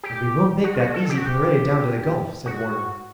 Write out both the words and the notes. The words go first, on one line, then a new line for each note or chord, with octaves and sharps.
"And we won't make that easy parade down to the Gulf," said Warner.
G4
F#4
F#4
A4
G4
F#4
G4
F#4